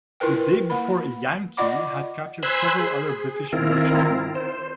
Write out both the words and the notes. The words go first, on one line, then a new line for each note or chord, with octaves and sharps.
The day before "Yankee" had captured several other British merchantmen.
E4 F4 A#4 B4 G5
A#3 B5
F4 D5 D#5 F#5 B5 D6
C5 G#5 B5 C6 E6 F#6
G#4
D#3 C4 E4 F4 A#4
C5